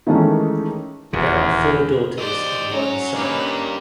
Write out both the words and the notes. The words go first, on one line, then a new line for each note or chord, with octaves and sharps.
There are four daughters and one son.
D#3 E3 G#3 A3 C#4 D#4
D#1 E2 C#3
G4 C5 D5 D#5
C#4 F#4 C#5 A#5
A#3 D4 D#4 G4 B4